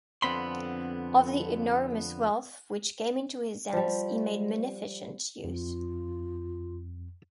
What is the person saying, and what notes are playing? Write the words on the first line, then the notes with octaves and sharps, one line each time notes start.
Of the enormous wealth which came into his hands he made munificent use.
F2 D3 B3 C4 B5 C6
F3 G3
F2 F4